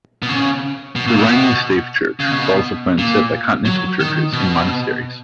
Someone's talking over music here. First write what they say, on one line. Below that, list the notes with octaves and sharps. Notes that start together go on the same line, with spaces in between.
The Reinli stave church follows a plan set by continental churches in monasteries.
B2
C#3
B2
A#2
B2
C#3
B2
A#2
F#3
D#3
B2